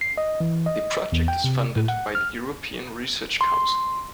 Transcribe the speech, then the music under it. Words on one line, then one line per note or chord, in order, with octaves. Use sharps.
The project is funded by the European Research Council.
C7
D#5
E3
D#5
E2
G5
C3
A2
F#5
F6
C6